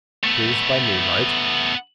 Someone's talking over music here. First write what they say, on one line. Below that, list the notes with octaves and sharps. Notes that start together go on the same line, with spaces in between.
Piers by moonlight.
A3 B3